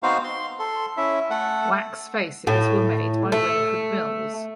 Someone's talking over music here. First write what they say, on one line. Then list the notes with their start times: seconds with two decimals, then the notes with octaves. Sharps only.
Wax faces were made by Winifred Mills.
0.03 B3 C4 D#4 F#4 C5 F5
0.24 C6
0.59 A4 C6
0.97 C#4 E4 E5
1.30 A3 A4 F#5
2.47 A2
3.32 A3